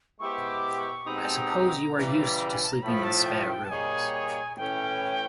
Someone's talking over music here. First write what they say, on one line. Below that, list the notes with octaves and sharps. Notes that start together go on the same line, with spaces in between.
I suppose you are used to sleeping in spare rooms.
G#3 B3 E4 G4 C5 C#6
D6
C#6
B2 G#3 C4 D#4 G4 B5
A#5
A5
A#5
C#3 E3 G3
G#5
A5
A#5
A2 F3 A3 B5
A5
G5
G5
A5
G3 A#3 D#4 G#4 C#5 G#5
G#5
A2 E3 A3 C#4 G5